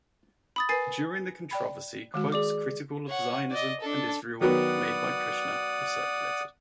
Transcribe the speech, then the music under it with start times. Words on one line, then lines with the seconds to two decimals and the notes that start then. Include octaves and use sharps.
During the controversy, quotes critical of Zionism and Israel made by Kushner were circulated.
0.56 B5 D#6 A6
0.69 A#4 B4 G#5 A6 C7
1.51 D5 G5 B5
2.14 D#3 G#3 F#4
2.32 G#4 D5 D6
3.08 C#5 F#5
3.51 D5 D#5
3.80 D4 A4
4.41 D#3 F#3 B3 D5 F#5 D#6